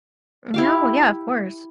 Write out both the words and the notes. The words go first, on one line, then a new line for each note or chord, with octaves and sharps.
No, yeah, of course.
E4 G4 F5